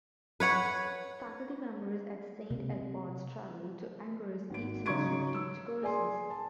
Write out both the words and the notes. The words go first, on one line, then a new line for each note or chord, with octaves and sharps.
Faculty members at Saint Edward's travel to Angers each semester to teach courses.
B4 C#5 F#5
C3
G#1 F#4 D7
C#3 F#3 D#4 C#6 G#6 D7
E6
G#4 D5 G#5 C6
A5